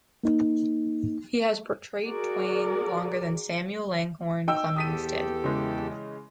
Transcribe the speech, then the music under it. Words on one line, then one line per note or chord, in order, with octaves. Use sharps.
He has portrayed Twain longer than Samuel Langhorne Clemens did.
A#3 D#4
F#4 G#4 A#4 D5
D#4 G5 E6
E2 G4 A4 D#6 B6 D#7
C#3 E3 G#3